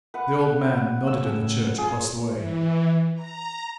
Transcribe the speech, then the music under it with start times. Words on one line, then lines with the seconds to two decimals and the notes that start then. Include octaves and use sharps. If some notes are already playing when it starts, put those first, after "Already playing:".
The old man nodded at the church across the way.
0.14 B4 F#5
0.66 F4
1.07 E6
1.23 A2 C#3 C#4
1.78 F4 G#4
2.29 E3
3.14 A#5